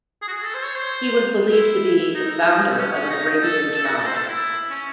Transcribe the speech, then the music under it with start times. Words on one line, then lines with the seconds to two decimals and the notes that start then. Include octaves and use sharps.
He was believed to be the founder of an Arabian tribe.
0.22 G#4
0.28 F#4
0.33 G#4
0.43 A4
0.54 C5
0.65 C#5
0.76 C5
1.50 E4
2.14 D#4
2.78 C#4
2.95 C#4
3.10 D#4
3.43 A4
3.74 A4
3.85 F#4
3.96 A4
4.06 C5
4.17 A4
4.28 E4
4.70 C#4